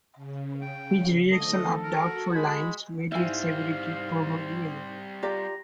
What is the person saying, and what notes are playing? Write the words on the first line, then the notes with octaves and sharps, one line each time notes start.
His rejection of doubtful lines made his severity proverbial.
C#3
G5
D3 F3 A3 A4 D#5
F#4 A#4
G#3 B5
G#2 G3 C4 E4 F5 G#5
F4 G4 D5 A#5